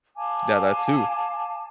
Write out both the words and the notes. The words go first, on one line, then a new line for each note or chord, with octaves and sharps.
Yeah, that too.
F5 G#5 A5 D6